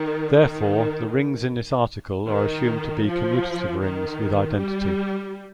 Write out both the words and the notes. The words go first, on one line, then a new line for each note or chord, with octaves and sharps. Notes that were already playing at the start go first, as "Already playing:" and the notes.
Therefore, the rings in this article are assumed to be commutative rings with identity.
Already playing: D#3
D#3
D#3
F3
D#3
G3